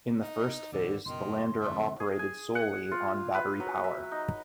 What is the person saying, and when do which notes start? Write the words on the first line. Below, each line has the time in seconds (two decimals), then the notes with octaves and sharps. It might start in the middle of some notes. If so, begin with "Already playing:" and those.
In the first phase, the lander operated solely on battery power.
0.22 D#4
0.72 D#2 A#2 D3
1.06 F#1 B2 D#3 C6
1.61 F2 G#2 D3 A3
2.00 G#4
2.19 G#5
2.55 F#5
2.91 F4
3.34 B4
3.60 F#3
3.84 E5
4.12 D#4